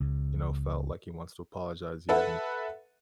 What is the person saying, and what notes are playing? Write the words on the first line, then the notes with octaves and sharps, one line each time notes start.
you know, felt like he wants to apologize yet, and it's
C#2
A4 B4 E5 F#5